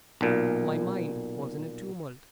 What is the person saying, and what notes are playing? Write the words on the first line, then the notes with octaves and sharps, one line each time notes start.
My mind was in a tumult.
B1 A#2